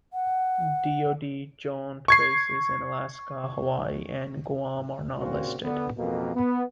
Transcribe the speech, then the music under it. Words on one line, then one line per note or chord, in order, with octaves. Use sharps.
DoD Joint Bases in Alaska, Hawaii and Guam are not listed.
F#5
C#6 G#6 C7
D#2 A#2 C#3 C4 F4 F#4
D3 B3
A1 F2 B2 A#3
B3